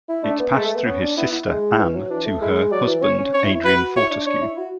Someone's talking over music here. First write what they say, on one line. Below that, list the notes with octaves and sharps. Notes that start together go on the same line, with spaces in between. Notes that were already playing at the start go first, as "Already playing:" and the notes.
It passed through his sister, Anne, to her husband-Adrian Fortescue.
E4
A3 D4
B3
G#3 A3
A3
B3
B3 C#4
D4
B3 E4
E4
G#3
E3 C#4
F#3
E3 D4
A3
G#3 E4
F#3 D5
E3
C#4 C#5
C#4
C#4 C#5
E4
E4
F#4 B4
E4 C#5
D4
D4 C#5
E4
F#4